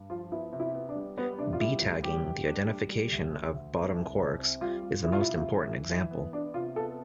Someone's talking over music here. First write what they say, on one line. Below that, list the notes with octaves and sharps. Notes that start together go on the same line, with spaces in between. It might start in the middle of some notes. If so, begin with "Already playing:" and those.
B-tagging, the identification of bottom quarks, is the most important example.
Already playing: G2
F3 F4
B3 E4
C3
E4
B3
D4
G3
G3 B3
C3 D4
F4
G3 E4
D2
G3 G4
D2
D4
G3
G3
D2
D2
D2
C4
C2
C3
C4
G3 F4
G3
C3 E4
F4
E4
C3
E3
E3
E3
B3
B3 D4
C3 F4
B3 A4